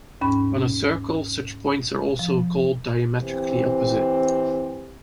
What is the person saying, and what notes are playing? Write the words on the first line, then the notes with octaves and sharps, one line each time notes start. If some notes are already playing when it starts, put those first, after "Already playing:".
On a circle, such points are also called diametrically opposite.
D#2 G#2 C#4 B5
F3
E3 C4 G4